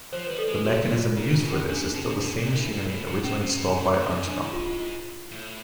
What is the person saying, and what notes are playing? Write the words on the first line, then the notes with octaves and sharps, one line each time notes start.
The mechanism used for this is still the same machinery originally installed by Armstrong.
F3 C5
G3 B4
A4
G#3 G#4
A3 F#4
F#3
F4
F4
C#3 E4
D4
B2
C#4
A#2 D4
D4
C3 D#4
D4
B2 D4
A#2
G#2
A2 D4
A#2
B2
A#2
B2 C#4
B2
C3
B2
A#2
A2
G2
G#2
D4
E4
F4
F4
A2